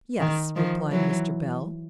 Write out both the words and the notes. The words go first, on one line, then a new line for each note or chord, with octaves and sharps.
'Yes,' replied Mr. Bell.
D#3
D#3 F3
E3 F#3